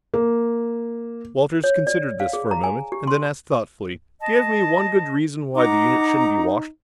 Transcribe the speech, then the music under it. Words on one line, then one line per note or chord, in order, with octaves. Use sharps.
Walters considered this for a moment and then asked thoughtfully, "Give me one good reason why the unit shouldn't be washed out."
A#3
C#5
D5
F5
G#4
A#5
G#5
G4
C6
D#5 A5
D#4 F#5 A#5 D6